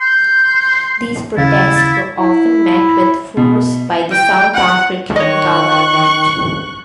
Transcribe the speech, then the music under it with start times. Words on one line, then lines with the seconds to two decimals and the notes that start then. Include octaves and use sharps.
These protests were often met with force by the South African Government.
0.01 C6 G6
1.37 D#2 C#3 E4 F5 A6
2.18 E4
3.37 B2
4.12 G5
4.54 F#5
5.16 D#3 C#5 D#5 C#6 F#6